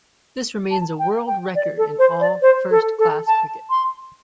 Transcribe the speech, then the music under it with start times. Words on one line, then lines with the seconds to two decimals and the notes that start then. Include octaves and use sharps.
This remains a world record in all first-class cricket.
0.71 A5
0.99 G5
1.27 G5
1.56 D5
1.78 A4
1.99 C5
2.21 D5
2.42 C5
2.71 A4
2.99 A4
3.27 A5
3.70 C6